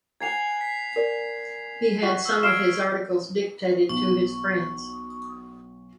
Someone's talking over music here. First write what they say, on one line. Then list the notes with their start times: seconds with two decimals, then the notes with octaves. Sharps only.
He had some of his articles dictated to his friends.
0.20 F#5 G#5 A#5 G#6 C7 F7
0.61 B6 C7
0.96 A#4 D5
2.03 F#4 C#6
2.25 E6 F6
2.43 F5 F6 G#6 C7 D7 E7 G7
3.89 B1 C#6